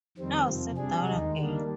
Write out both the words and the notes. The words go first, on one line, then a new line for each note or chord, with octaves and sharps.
Now sit down again.
F2 D#3 G3 C4
F2 C3 F3
C3 G3 D4 G#4
D#2 D#3 G#3 D#4
D#3 G3 A#3 D4